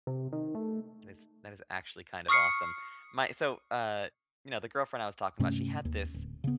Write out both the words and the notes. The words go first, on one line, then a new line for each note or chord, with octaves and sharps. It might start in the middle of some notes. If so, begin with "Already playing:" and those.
That is that is actually kind of awesome. My so, uh, you know, the girlfriend I was talking about, she had this
C3
D#3
A3
C#6 D#6 F6 C7 C#7
G2 C3 A3 C#4
D#2
D1
C#3 B3